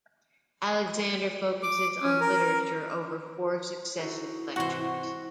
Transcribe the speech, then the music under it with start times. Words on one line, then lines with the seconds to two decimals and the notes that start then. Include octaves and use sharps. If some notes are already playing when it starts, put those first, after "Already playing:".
Alexander, focuses on literature over four successive lectures.
1.63 D6
2.02 C#4
2.21 A#4
3.99 D#4 E4 F#4 A4
4.56 G#2 C3 E3 F#4 C5 F#5 C#6